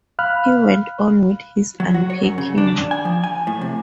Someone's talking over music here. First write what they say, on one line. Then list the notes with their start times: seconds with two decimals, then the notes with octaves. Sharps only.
He went on with his unpacking.
0.19 F5 B5 F6 F#6
1.80 F#3
1.94 F#4
2.10 C#5
2.23 F#2
2.38 C#3
2.58 D4
2.91 G#5
3.05 F3
3.24 G#5
3.47 A2
3.61 C3